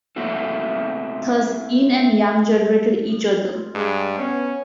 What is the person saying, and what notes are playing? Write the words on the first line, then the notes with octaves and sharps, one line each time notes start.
Thus yin and yang generated each other.
A3 A#3 C4 E4 F#4 A4
G2 G#3
B3 C#4